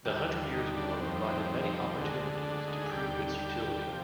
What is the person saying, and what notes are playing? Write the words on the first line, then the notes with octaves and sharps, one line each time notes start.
The Hundred Years War provided many opportunities to prove its utility.
D#2 D3 G3 G4
G4
F4
D#4
D4
F2 D#3 G3 C4
D2 D3 G#3
D4
D#4
G#4
D#2 D3 G3 G4
G4
C3 F3